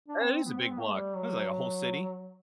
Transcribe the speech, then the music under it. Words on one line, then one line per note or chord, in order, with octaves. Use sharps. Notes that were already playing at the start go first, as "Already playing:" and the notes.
That is a big block, it's like a whole city.
D4
C4
B3
C4
B3
A3
G3
F#3